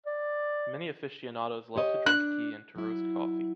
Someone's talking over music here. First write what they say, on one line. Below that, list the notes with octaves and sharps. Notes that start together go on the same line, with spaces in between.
Many aficionados love to drink tea and to roast coffee.
D5
G4 C#5 D#5
D4 F#6
F#3 E4